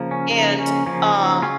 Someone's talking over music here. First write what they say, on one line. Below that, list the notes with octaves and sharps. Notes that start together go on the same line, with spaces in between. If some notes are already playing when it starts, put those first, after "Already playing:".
and, um,
Already playing: C#3 F3 A#3
C#4
C#3 F3 A#3 D#4
C#4
C#3 F3 A#3 C#4
D#4
C#3 C#4 F4